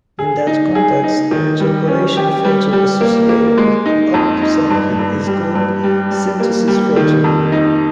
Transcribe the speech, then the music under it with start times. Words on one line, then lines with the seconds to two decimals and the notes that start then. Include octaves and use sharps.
In that context, the interpolation filter associated with upsampling is called "synthesis filter".
0.19 G#4
0.47 D#4
0.75 G#4
1.04 D#4
1.31 D#3
1.60 G3
1.88 C#4
2.17 G4
2.44 G3
2.73 G3
3.01 A#3
3.29 A#3
3.58 G#3
3.86 D#4
4.14 F2
4.42 D#4
4.70 G2
4.99 G2
5.27 G3
5.55 G2
5.83 G3
6.11 G3
6.40 A#3
6.68 G3
6.96 D#3
7.24 F2
7.52 D#4